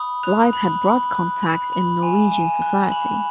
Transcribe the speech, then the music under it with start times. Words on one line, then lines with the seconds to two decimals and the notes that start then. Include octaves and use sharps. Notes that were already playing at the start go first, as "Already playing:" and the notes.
Leib had broad contacts in Norwegian society.
Already playing: B5 D#6
0.23 F#6 F7
0.53 B5
0.83 B5
1.12 F#6
1.43 B5
1.73 B5
2.03 G#5
2.32 G#5
2.62 F#6
2.91 B5 F#7